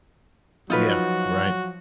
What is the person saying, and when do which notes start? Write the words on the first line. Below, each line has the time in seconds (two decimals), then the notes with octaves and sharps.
Yeah. Right.
0.70 F3 F#3 D#4 F4 F#4 B4